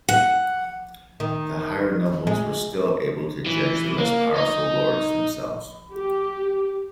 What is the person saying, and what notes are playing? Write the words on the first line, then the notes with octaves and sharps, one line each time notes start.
The higher nobles were still able to judge the less powerful lords themselves.
F#5
D#3
G#3
E3
A#3
D#4
G4